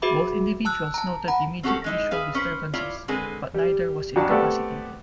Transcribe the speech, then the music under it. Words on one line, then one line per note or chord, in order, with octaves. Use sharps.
Both individuals noted immediate visual disturbances, but neither was incapacitated.
F#4 G#4 B4 E5 B5 D6
A5 E6 F#6
A5 A#5
F#5 A#5 B5
C4 C#4 F#4 G4 A4 A#4
G#3 D#4 E4
G#4 B4 E5 F5
C#4 B4 C5
E4 F4 C#5 D5
D3 G#3 C4 G#4 A#4 B4
G3
F2 F#3 D4 A5
A3 B3 C4 G4 A4 D5